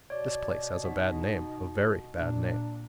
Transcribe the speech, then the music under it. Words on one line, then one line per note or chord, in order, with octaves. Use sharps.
This place has a bad name,--a very bad name.
B2 C#5 D5
D#4 F#4
A#2 D4